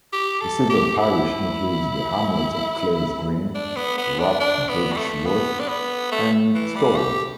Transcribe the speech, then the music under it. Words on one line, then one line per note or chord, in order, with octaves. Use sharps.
The civil parish includes the hamlets of Clays-Green, Roughbirchworth and Storrs.
G4
A4
G4
E4
D4
B3
B3
D4
D4
B3
G3
A3
B3
D4
B3
A3
E3
G3
G4